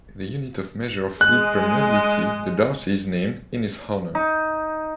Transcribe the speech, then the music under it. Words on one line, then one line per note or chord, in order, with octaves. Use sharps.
The unit of measure of fluid permeability, the darcy is named in his honour.
G#3 D#5 F#6
D#4